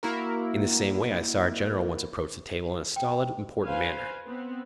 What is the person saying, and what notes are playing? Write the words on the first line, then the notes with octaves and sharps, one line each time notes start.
In the same way, I saw our General once approach the table in a stolid, important manner.
A#3 E4 F#4 A#4
G5
B4 C5 F5 G#5
B3 C4